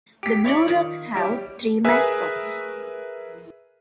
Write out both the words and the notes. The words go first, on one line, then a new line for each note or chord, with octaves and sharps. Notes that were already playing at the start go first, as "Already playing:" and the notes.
The Blue Rocks have three mascots.
G4 B6 D7
E4 C#5 D5 G#6 A6
D#3 F4
G3 E4 G4 C#5 D6
G#4 A#4 B4 E5 G#5